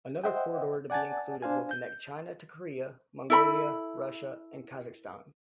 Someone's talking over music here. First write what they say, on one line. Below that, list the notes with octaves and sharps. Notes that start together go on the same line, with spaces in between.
Another corridor to be included will connect China to Korea, Mongolia, Russia and Kazakhstan.
C5 D#5 E5 F#5 G5
D5 F#5 G#5 A5 A6
D4 C5 F5 G#5
G6
E4 A4 B5